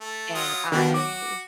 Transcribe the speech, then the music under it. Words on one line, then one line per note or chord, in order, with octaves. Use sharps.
And I
A3
F#3 F4 D#6
D#3 G3 B3 D4 F#4
F#4 D6